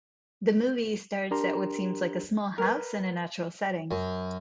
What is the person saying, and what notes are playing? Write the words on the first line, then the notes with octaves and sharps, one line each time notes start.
The movie starts at what seems like a small house in a natural setting.
D4 G4 A#4 A#5 C6
A#4 B4
F#2